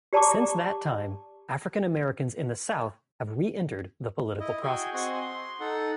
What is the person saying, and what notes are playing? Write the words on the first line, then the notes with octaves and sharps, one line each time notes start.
Since that time, African Americans in the South have re-entered the political process.
G4 D5 A5 A#5 C#6 D6
E4 D#5
F#4 G#4 G5 G#5
C4 F#4 D#5 F#5 G#5 C6
C6
D#4 A4 F#5